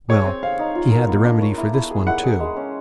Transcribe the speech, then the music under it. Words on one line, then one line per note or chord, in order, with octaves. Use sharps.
Well, he had the remedy for this one, too.
G#4 C#5
C4
C4 F5
D#4
F4
A#4
B3
D4
C#5
E4
E4
G#4
E4 F#5
G#4
G#3
C#4